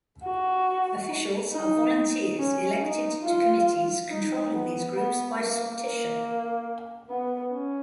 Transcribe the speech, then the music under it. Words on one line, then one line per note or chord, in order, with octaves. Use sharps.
Officials are volunteers elected to committees controlling these groups by sortition.
F#4
D#4
C#4
D#4
F4
D#4
B3
B3
A#3
A#3
B3
C#4